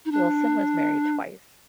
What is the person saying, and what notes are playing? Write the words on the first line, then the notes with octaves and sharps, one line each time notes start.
Wilson was married twice.
D#4
D4